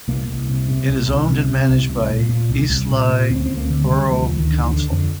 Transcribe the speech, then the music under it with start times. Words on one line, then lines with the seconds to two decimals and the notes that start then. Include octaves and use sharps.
It is owned and managed by Eastleigh Borough Council.
0.08 C2 A#3
0.29 C2
0.49 C3
0.68 C3
0.88 C2
1.09 C2
1.29 C3
1.49 C3
1.69 C2
1.89 C2
2.09 A#2
2.29 A#2
2.49 C2
2.70 C2
2.90 A#2
3.09 A#2
3.30 D2 C4
3.46 D2 C4
3.57 A#3
3.70 D3
3.84 G3
3.90 D3
4.10 D2 F3
4.31 D2
4.37 D#3
4.51 D3
4.64 D#3
4.71 D3
4.91 F2 D3